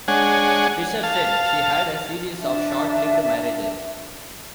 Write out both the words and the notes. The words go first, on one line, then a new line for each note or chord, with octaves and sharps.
Fisher said she had a series of short-lived marriages.
G#3 D4 C#5 F#5 G#5
F5 A5
D4 E5 A5